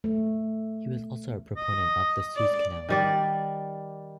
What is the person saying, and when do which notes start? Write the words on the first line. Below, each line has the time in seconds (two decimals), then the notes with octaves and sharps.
He was also a proponent of a Suez canal.
0.04 A3
1.56 D#5
2.36 D5
2.89 D#3 G3 D5